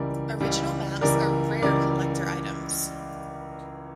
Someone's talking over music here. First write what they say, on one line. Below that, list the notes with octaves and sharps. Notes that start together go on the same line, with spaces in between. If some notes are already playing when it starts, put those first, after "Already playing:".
Original maps are rare collector items.
Already playing: C#2 C#3 E3 G3 A#4 D5
C#2 C#3 E3 G3
C#2 C#3 E3 G3 A#4 D5
C#2 C#3 E3 G3 A#4 D5